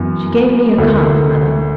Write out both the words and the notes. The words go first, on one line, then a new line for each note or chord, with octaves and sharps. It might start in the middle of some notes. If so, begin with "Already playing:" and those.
'She gave me a calf, Mother.'
Already playing: F#2 E3 B3
D2 D3 A#3 E4